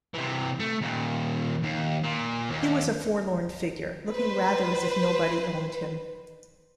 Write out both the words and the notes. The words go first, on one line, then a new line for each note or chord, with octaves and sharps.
He was a forlorn figure, looking rather as if nobody owned him.
C3 E3
A3
D#2 A#2
D#2
A#2
D#2
B4 C5